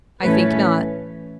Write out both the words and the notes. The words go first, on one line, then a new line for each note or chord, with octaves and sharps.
"I think not."
A2 E3 A3 C#4 B4